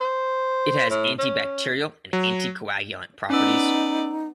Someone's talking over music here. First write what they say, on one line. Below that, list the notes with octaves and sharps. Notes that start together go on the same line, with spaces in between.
It has antibacterial and anticoagulant properties.
C5
A2
C#4
F#3
B3 C#4 D#4 D5 E6